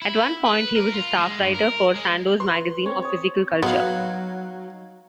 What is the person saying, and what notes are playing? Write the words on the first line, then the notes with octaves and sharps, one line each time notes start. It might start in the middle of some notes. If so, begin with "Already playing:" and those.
At one point he was a staff writer for "Sandow's Magazine of Physical Culture".
E4
B4
A#4
F4
G#3
G2
A#4
G#3
B4 C6
C4 C#5 A#5
C#5 D#6
F#3 B3 D#4 F5